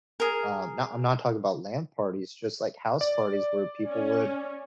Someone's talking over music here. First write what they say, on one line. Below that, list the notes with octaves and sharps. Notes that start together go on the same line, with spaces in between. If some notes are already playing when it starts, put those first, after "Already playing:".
Um, nah, I'm not talking about land parties, just, like, house parties, where people would
G#4 A#4
D5
C#4